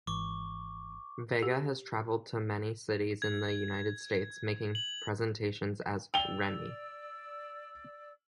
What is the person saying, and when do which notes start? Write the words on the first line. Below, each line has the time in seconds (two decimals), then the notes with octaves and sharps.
Vega has traveled to many cities in the United States making presentations as "Remi".
0.07 G#1 E3 C#6 D6
1.43 G4
3.22 G#6
4.75 F#7
6.14 D5 G5 E6 F7 G7